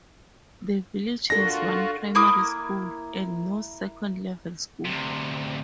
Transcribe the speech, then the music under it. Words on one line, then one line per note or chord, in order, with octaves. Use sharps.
The village has one primary school, and no second level school.
D4 F4 F#4 A4 A#4 A#6
A#3 E4 D#6
D2 C3